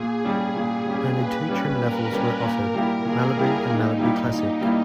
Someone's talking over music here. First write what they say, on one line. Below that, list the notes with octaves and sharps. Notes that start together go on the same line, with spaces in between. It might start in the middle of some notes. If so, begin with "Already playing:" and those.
Only two trim levels were offered - Malibu and Malibu Classic.
Already playing: A#2 G#4
G3 C#4 G4
A#2
G3 C#4 G4
A#2 B4
G3 C#4 G4
A#2 A#4
G3 C#4 G4 B4
A#2 A#4
G3 A#3 E4 G4 A#4
A#2 G#4
G3 A#3 E4 G4
A#2 D#4
G3 A#3 E4 G4
A#2
G3 A#3 E4 G4